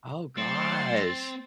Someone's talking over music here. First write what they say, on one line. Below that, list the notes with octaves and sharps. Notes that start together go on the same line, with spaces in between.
Oh gosh.
F#3 A3 C4 C6 A6